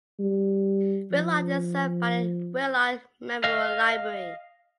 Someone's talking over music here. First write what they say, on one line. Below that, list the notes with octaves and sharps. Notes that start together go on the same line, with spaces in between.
Willard is served by the Willard Memorial Library.
G3
F3
D#5 F5